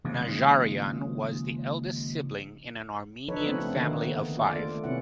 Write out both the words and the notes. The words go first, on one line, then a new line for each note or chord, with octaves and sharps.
Najarian was the eldest sibling in an Armenian family of five.
D#2 C#3 F3 G#3
F3 D4 D#4 A4 B4 C#5
C#3 A3 B3 C4
D3 D#3 A#3 B3 D#4
F4 A4 D5
A3
C3 B3 C#4 E4 F#5